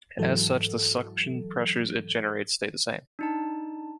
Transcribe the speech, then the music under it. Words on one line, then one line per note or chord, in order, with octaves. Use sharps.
As such, the suction pressures it generates stay the same.
G#2 E3 F#3 A4
D4 D#4 A5